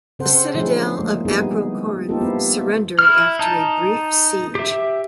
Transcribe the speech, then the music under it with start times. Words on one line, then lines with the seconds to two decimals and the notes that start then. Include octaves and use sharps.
The citadel of Acrocorinth surrendered after a brief siege.
0.19 C#3 C4 A4 C5 F#5
0.55 D3 F3 A3 D#4 E4 G#4
0.98 G#3 A#3
1.25 G3 B3 D#4 E4 G#4
2.09 A#3 C4 D#4 F4 G4 A4
2.21 B3 E4
2.99 E4 F6
3.39 D#4 A5
4.55 G4 E5